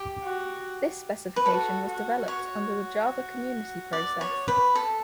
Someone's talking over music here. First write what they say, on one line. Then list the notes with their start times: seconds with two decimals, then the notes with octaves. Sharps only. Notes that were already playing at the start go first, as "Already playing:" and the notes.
This specification was developed under the Java Community Process.
Already playing: G4
0.23 F#4
1.36 B4
1.46 F#4 A4
1.87 F#4
2.28 F#4 C#5
3.93 D5
4.21 C#5
4.48 B4
4.75 A4